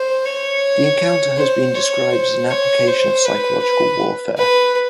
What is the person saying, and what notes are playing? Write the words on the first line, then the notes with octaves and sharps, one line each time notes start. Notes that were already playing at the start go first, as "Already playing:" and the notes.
The encounter has been described as an application of psychological warfare.
Already playing: C5
C#5
C5
C#5
C5
C#5
C5
B4
B4
B4